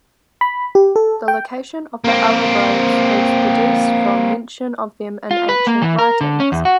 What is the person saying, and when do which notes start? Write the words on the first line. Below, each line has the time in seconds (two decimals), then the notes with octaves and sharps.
The location of the Allobroges is deduced from mention of them in ancient writings.
0.41 B5
0.75 G4
0.96 A4
1.28 G5
2.04 A#3 C4
5.31 F4
5.49 B4
5.67 A#3
5.82 E3
5.99 A#4
6.21 D3
6.40 C#4
6.52 E2
6.65 F#4